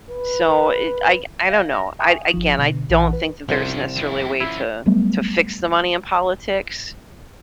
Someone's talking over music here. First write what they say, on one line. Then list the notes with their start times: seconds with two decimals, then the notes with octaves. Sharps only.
So, it I c I don't know. I again, I don't think that there's necessarily a way to to fix the money in politics,
0.10 B4
1.49 F5 A#6
1.99 E5 G5 G#5 C#6 D#6
2.34 G1 F3
2.59 B2 D3
2.90 A#1 E3 F#5 A5
3.13 B4
3.49 C2 F3 C#4 C5
3.96 F2 E4
4.40 F3 C#4 E4
4.86 F#3 G3 A3 B3